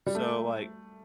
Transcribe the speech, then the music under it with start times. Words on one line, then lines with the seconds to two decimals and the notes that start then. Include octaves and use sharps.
So, like,
0.06 G3
0.15 A3